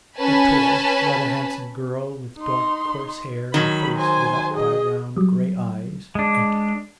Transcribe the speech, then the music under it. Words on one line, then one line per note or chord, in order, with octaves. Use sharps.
A tall, rather handsome girl, with dark coarse hair and a face lit up by round grey eyes, entered.
C#4 B4 G#5 A5 B5
D#4 C6
D#3 F#3 B5
C5 G#5
G#4 D#5
F#3 G3
G#3 D4